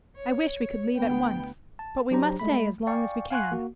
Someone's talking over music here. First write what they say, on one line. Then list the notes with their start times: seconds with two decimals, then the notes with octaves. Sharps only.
"I wish we could leave at once, but we must stay as long as we can."
0.16 C#5
0.98 D2 B3 G5
1.79 A5
2.11 F#3 D4 G4 C5 A#5
2.40 G#3 A3 B5
2.87 D5 F5 G5 G#5 C#6
3.31 F5 F#5 G#5 C6 C#6 F#6
3.52 A#3 F#4